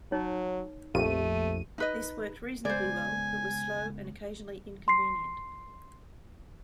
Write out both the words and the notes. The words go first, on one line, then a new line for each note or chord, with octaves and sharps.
This worked reasonably well but was slow and occasionally inconvenient.
F#3 D#4 C#5
A#1 F2 A3 G4 D#7
D#4 B4 D#5
C#3 G#3 B3 C5 D5 G#5
C6 C7